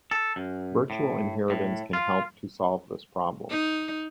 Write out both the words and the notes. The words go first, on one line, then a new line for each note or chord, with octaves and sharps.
Virtual inheritance can help to solve this problem.
A4
F#2
A2
A2
F4
D#4